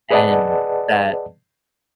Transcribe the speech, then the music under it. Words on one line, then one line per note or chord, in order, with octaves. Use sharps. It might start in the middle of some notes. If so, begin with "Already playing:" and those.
And, that
G#4 B4 D5 D#5 F#5 A5